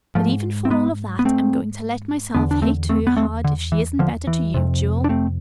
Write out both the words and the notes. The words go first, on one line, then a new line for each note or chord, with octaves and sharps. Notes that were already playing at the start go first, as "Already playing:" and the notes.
But even for all of that, I'm going to let myself hate her hard if she isn't better to you, Jule.
G#2 F3 A3
C4
G#3 B3
B3
A3 C4
E2 D3 B3 D4
D4
A3 C4
A3 C4
B3
A3 C4
D3
E3
D3 F3
E3
F2 C3
D4
A3 C4